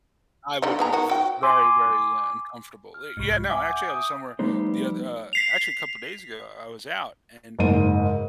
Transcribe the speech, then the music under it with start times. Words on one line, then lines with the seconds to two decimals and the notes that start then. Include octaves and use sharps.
I would be very, very uncomfortable. Li yeah, no, actually I was somewhere the other, uh actually a couple of days ago, I was out and
0.62 D3 G3 D#4
0.79 B3 G#4 A#5
0.93 D#3 F#4
1.10 F#4 G5
1.43 G#5 C6 D6
2.94 F6
3.17 C2 G#2
3.50 E5 F#5 G#5 D6
3.64 G#5 G6
3.89 D#6 D7
4.39 F3 G3 A3 B3 D#4 C5
5.33 B6 C7 F7
7.59 F#1 G#2 D#7